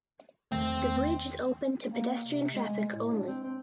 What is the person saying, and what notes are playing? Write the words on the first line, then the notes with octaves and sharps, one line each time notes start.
The bridge is open to pedestrian traffic only.
E2 D#3 A3 C4
A#3
C3
G#3
A2
D4
C4
C4